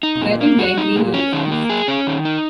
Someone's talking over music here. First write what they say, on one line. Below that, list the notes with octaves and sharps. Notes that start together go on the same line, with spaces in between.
Welpen wear green uniforms.
D#4
A#2
A#3
F#4
D#4
A#2
C#4
D#3
A#3
G#4
C#4
D#3
D#4